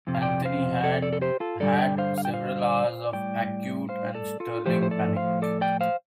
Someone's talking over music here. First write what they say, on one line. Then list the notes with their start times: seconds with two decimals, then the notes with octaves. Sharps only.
Anthony had had several hours of acute and startling panic.
0.07 F2 C3
0.15 F5
0.22 D5 G5
0.45 C5 F5
0.84 A4 D5
1.02 A4 D5
1.13 A4
1.21 G4 C5
1.40 F4 A4
1.60 G2 D3 G3 A4 D5
1.79 D5 G5
1.98 C5 F5
2.18 F5
2.25 G5
2.33 C5 F5
3.13 A2 G3 D5 G5
3.89 C5 F5
4.15 A4 D5
4.40 F4 A4
4.66 A2 F3 A3 G4 C5
4.83 C5
4.91 A4 D5
5.16 C5 F5
5.42 A4 D5
5.61 D5 G5
5.81 C5 F5